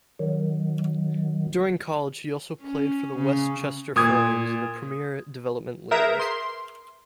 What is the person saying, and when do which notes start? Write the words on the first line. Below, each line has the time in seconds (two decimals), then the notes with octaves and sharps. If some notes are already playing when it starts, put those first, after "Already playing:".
During college, he also played for the Westchester Flames in the Premier Development League.
0.19 D#3 F#3
2.63 C#4
3.17 C#3
3.96 A#2 D#6 G#6
5.91 G#4 A#4 B4 E5 A#5 G6
6.19 C6 C7